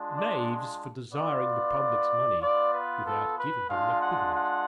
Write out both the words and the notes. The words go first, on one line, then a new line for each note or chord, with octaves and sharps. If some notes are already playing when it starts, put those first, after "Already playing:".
Knaves, for desiring the public's money without giving them an equivalent.
Already playing: G#3 D4 F4
D5
B3 F4 D5
B3 F4 D5
B4
A4
B4
G#3 D4 F4 F5
F#5
F#5